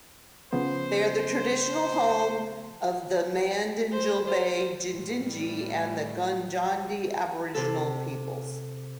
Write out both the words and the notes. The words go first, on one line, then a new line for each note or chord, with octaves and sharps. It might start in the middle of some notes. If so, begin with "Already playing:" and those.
They are the traditional home of the Mandingalbay Yidinji, and the Gungandji Aboriginal peoples.
C#3 F3 B3 C5
C5
F4 C5
A2 G3
C3 A4